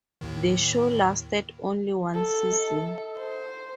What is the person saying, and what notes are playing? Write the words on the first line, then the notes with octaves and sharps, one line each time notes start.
The show lasted only one season.
D#2 A2 D#3
A4
C5